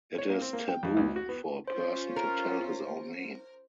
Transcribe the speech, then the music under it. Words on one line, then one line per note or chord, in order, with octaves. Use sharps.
It is taboo for a person to tell his own name.
C#5
A#3
C4
A#3
G5
F2
C#2
F#4
B3
C#4 F4 C5
A#4